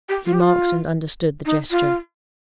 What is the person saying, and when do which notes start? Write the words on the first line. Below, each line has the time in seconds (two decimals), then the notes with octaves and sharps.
He marked and understood the gesture.
0.09 G4
0.25 F4
0.33 G4
0.40 F4
1.45 D#4
1.71 F4